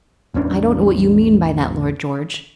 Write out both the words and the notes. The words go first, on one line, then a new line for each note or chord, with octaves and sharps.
"I don't know what you mean by that, Lord George."
A1 E2 C#4 D4